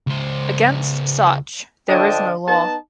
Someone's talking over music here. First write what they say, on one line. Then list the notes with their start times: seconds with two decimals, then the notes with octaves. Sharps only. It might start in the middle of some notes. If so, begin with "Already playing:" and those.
Against such there is no law.
0.07 C#2 C5
1.89 D3 F3 D4 D#5 G5
2.47 B3 D#4 A5